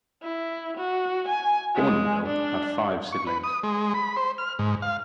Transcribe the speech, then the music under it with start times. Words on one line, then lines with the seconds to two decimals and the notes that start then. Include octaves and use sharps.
Bournonville had five siblings.
0.23 E4
0.77 F#4
1.28 G#5
1.75 G#3
2.26 D4
3.13 C#6
3.27 B4
3.44 D#6
3.63 G#3
3.94 B5
4.17 C5
4.38 F6
4.59 G#2
4.82 F5